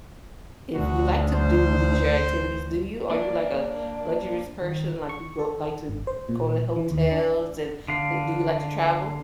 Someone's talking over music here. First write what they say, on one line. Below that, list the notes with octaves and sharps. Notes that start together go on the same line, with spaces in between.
if you like to do leisure activities, do you? Are you, like, a luxurious person, like, you go like to go to hotels and, uh, do you like to travel?
D2 F#4
C5
A#3 D4 D5
D#3
C#6
A4
G#1
C5
A#2
E3
D#2
D4
D3 F5